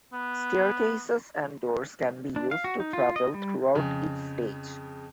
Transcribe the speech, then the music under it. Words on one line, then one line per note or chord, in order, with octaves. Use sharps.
Staircases and doors can be used to travel throughout each stage.
B3
D4
F5
F#4
D#4
F4
D#5
G3
F2 C#3